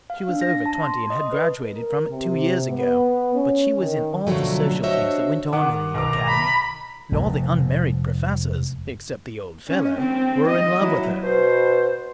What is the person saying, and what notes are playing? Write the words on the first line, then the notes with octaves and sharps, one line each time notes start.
She was over twenty and had graduated from it two years ago, but she was in all the social things that went on in the Academy; and all the unmarried professors, except the Old Fellow, were in love with her.
F5
D4
A#6
A5
C6
D#5
B4
A#4
C3
B3
C#4
D#3
B2 D3 F3 F#3 A3
D4 F#4 C5 C#5 D#5 E5
D#3 F#5 D6
B1 A#5 D6
B5
F1 G#2
C#4
C4
D#5
F#3 E4
B2 C5